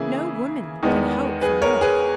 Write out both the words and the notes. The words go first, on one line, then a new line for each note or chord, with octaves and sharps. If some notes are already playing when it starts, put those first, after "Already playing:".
No woman can hope for more.
Already playing: C#3 E3 A#3 E4 G#4
E2 D#3 G#3 B3
G#4 B4
A#4 C#5
G#4 B4